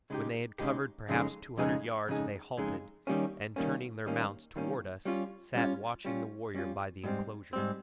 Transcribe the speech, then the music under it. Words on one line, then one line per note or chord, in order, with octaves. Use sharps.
When they had covered perhaps two hundred yards they halted, and turning their mounts toward us sat watching the warrior by the enclosure.
C#3 G#3 D#4 G4
C#3 G#3 D#4 G4
F2 C#3 G#3 D#4 G#4
F2 C#3 G#3 D#4 G#4
F2 C#3 G#3 D#4 G#4
F2 C#3 G#3 D#4 G#4
D#3 G3 A#3 C#4
D#3 G3 A#3 C#4
D#3 G3 A#3 C#4
D#3 G3 A#3 C#4
G3 C#4 F4
G3 C#4 F4
G3 C#4 F4
G3 C#4 F4
G#2 G3 C4
G#2 G3 C4